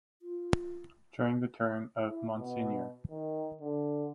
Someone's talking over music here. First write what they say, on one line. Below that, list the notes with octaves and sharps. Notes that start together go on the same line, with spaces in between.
During the term of Msgr.
F4
E4
B2
D#3
D3